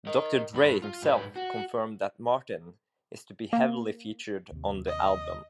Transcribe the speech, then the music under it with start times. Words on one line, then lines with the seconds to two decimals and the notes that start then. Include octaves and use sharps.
Doctor Dre himself confirmed that Martin is to be heavily featured on the album.
0.07 A#4 D#5
0.54 G2 B5
0.82 F4
1.02 G#2 B4
1.36 F#4
3.53 A#3
4.52 D#2 C3
4.87 D#5